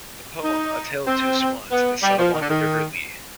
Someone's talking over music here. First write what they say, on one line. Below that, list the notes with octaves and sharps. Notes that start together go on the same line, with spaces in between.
The poem "A Tale of Two Swannes" is set along the River Lee.
D#4
C4
B3
G3
F3
D#3
D3
D#3